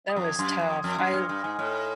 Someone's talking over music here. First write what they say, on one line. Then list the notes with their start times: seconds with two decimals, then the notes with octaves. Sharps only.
That was tough, I l
0.09 D#6
0.16 F2
0.24 G#6
0.39 F#2 C6
0.54 C6
0.61 F2
0.69 D#6
0.84 F2 F6
0.98 F#2 C6
1.14 G2 F6
1.29 G2 F6
1.43 G#2 G#5
1.59 A2 F6
1.74 B5